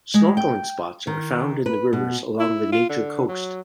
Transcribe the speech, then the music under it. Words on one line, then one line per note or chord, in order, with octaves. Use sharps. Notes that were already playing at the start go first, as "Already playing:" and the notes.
Snorkeling spots are found in the rivers along the Nature Coast.
G#3
G5
D#3
B4
B2
E4
F4
D3
F#3